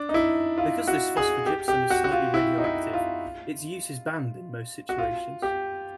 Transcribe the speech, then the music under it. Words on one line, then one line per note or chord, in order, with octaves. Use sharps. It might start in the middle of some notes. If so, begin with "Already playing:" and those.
Because this phosphogypsum is slightly radioactive, its use is banned in most situations.
Already playing: D4
D#4
E4
F4
F#4
G#4
G4
G4
F#4
F#4
F4
E4
D#4
E4
F4
F#4
F4
G4